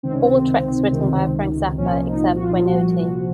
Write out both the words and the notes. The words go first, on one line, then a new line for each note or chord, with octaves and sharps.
All tracks written by Frank Zappa, except where noted.
C#2 C3 D#3 C4
C#4
C4
C#2 C3 D#3
C2 A#2 F3 C#4
D#4
F#4
F4
D#4
F4
C2 A#2 F3 F#4